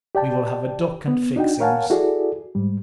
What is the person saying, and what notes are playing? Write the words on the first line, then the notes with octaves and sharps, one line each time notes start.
We will have a duck and fixings.
G4 D5 G5 A5
B3
D4 D#4 F#4 G5
A#4 C#5 F5 F#5 G#5 A5
E4 F#4 G#4 A4 D5
G#2 G3